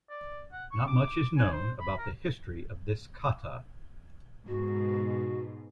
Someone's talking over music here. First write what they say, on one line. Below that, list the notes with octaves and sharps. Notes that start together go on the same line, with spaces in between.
Not much is known about the history of this kata.
D5
F#5
C#6
D6
G#5
C5
B5
A#4
G#2 B2 F#4